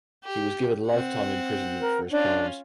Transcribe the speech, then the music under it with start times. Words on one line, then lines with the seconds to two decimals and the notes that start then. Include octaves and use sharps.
He was given lifetime imprisonment for his crimes.
0.24 G4
0.87 C4 F#5
1.81 A#4
2.11 C#4 D4 F4